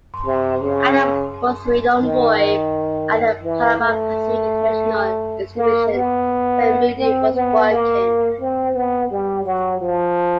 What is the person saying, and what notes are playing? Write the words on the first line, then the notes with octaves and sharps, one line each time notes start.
Adams was a young boy at the Panama-Pacific International Exhibition, where Mooney was working.
C3
C#3
D#3
E3
A3
A#3
B3
C4
B3
A#3
C4
B3
G3
F#3
F3